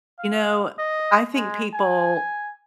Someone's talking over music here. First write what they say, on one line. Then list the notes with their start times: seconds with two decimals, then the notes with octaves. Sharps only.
you know, I think people
0.19 F5
0.79 D#5
1.34 G#3
1.74 G#5